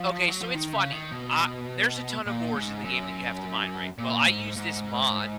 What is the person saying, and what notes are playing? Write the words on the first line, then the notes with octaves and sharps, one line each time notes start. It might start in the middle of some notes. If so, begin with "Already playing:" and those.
Okay, so it's funny. Ah there's a ton of ores in the game that you have to mine right. Well, I use this mod
Already playing: F3
F#3
F3
D#3
C#3
D#3
B2
A#2
G#2
F#2
A#2
G#2
G#2